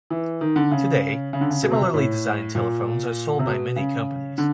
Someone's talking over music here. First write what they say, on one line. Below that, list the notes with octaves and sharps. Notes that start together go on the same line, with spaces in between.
Today, similarly designed telephones are sold by many companies.
E3
D#3
D3
C#3
C#3
D3
C#3
B2
C3
B2
A2
A#2
C3
B2
C#3
D3